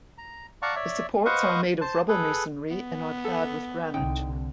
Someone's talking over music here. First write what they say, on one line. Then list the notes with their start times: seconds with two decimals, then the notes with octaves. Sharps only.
The supports are made of rubble masonry and are clad with granite.
0.18 A#5
0.62 D5 F5 F#5 A5 A#5 C#6
0.75 C#5 D5 E5
1.25 B4 C5 D#5 F5 F#5 C#6
1.81 C5 A5
2.09 G#4 A4 B4
2.70 B3
3.25 A4
3.94 C2 D3 D#4 G5